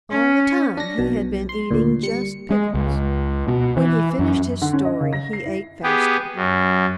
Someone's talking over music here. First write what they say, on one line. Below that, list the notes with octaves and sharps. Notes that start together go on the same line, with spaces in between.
All the time he had been eating just pickles; when he finished his story he ate faster.
C#4
D4 A#6
B1 B2
C6
D2 A#2
G3 C#7
G#3
C#2
B2
E3
F#2
D3
C#4
D#5
C#3
A#6
C7
E4
B3 G4 G#4
F#2